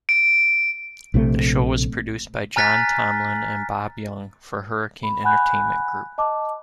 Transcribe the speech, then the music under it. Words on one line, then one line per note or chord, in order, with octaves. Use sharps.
The show was produced by John Tomlin and Bob Young for Hurricane Entertainment Group.
D7
A#1 C3 F3 A3
G#5 A#5 F6 F#6 A6 B6
B5
F#5 G#5 B5 F#6 G6
D#5 A5 D6